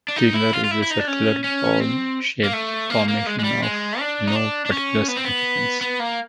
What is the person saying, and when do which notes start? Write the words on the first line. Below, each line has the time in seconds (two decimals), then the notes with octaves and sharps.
Theiler is a circular, bowl-shaped formation of no particular significance.
0.08 D4
0.16 D#4
0.34 E4
0.53 F4
0.64 F4
0.71 E4
0.82 E4
0.91 D#4
0.99 D4
1.07 C#4
1.44 C#4
1.80 C4
2.43 A#3
2.53 A3
2.90 A#3
3.08 A#3
3.27 G#3
3.39 G#3
3.44 G3
3.63 G#3
4.00 D4
4.27 D#4
4.36 D4
4.66 D4
4.72 C#4
5.08 B3
5.17 C4
5.24 B3
5.81 B3
6.00 A#3